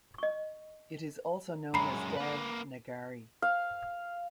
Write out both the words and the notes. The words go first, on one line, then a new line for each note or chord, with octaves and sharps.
It is also known as Dev Nagari.
D#5 C#6
F#2 G#3 A#5 B5 C7
A#3 B4
F5